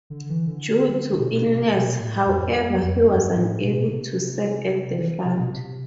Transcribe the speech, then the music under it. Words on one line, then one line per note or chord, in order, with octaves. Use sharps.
Due to illness, however, he was unable to serve at the front.
D3
E3
D3
B2
B2
B2
C3
B2
A2
F2
F2
F2
G2
A2
B2
C3
E3
C3
B2
C3